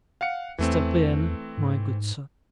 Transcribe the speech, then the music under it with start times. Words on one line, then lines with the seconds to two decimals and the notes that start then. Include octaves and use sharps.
"Step in, my good sir."
0.21 F5 F#5 C#7
0.58 E2 E3 A3 C4
1.57 G#2